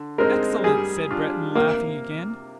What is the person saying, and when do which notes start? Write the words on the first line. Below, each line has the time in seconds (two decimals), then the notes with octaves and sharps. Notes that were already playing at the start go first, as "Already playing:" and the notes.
"Excellent!" said Breton, laughing again.
Already playing: D3
0.18 G#3 C4 D#4 A#4
0.64 G3 G#4
1.10 D4 F4
1.55 C3 A#3